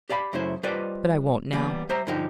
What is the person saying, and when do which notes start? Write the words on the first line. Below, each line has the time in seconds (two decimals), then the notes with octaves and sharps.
But I won't now.
0.09 G4 D5 F5 G#5 B5
0.33 F#2 C#3 A3 E4 C5
0.63 G3 F4 B4 C5 D5 D#5
1.53 E3 G3 A#3 B3
1.89 G3 C5 E5 A#5
2.07 G2 D3 F3 D#4 G4